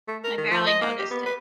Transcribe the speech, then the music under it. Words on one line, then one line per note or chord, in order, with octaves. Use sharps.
I barely noticed it.
A3
A#4
D#3
F3
D#5
A#3
G4
B3
B4